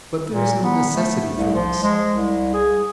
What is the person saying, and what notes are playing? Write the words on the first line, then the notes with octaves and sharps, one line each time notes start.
But there is no necessity for this.
A#2
B3
A3
C2
F3
G#3
C2
G#4